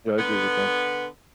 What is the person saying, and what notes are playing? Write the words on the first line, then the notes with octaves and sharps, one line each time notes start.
Yeah, I agree with that.
D3 B3